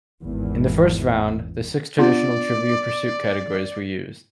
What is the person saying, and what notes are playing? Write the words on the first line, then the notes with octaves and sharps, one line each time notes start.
In the first round, the six traditional Trivial Pursuit categories were used.
G#1 E2
B3 D4 F4 D5